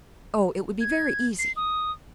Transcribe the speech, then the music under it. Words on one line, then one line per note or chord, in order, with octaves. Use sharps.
"Oh, it would be very easy!"
G#6
C7
D#6